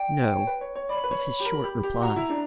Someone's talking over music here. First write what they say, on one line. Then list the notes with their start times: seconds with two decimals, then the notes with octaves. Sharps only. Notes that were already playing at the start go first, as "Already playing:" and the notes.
"No," was his short reply.
Already playing: D5 G5
0.33 C#5
0.47 B4
0.61 C#5
0.76 C#5
0.89 D5 B5
0.96 C#5
1.04 B4
1.11 C#5
1.40 G4
1.45 A#4
1.64 G4
1.83 G4
2.01 F#4 A#5
2.16 E4
2.30 D4